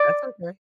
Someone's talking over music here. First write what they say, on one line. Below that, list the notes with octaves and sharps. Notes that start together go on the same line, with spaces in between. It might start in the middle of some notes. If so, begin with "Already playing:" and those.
That's okay.
Already playing: D5